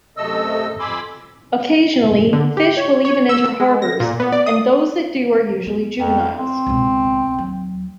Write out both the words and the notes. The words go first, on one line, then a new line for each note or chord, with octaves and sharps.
Occasionally, fish will even enter harbors, and those that do are usually juveniles.
F#2 C3 A3 A4 D#5 E6
F2 G#5 B5 C6 D6 E6
D3
G4
C#5
C#5
E6
G#3
A#6
A#2
B3
D5
D#6
B3
F2
C4
C#2 B2
D#2 F#3